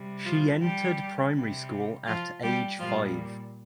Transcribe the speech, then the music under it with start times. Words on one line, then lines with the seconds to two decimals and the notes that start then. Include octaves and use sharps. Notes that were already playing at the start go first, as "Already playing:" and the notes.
She entered primary school at age five.
Already playing: C3 G3
0.25 F3 F4
0.61 G3 G4
1.33 C3 G3
2.06 F3 F4
2.42 G3 G4
2.79 A#2 F3 G3 F4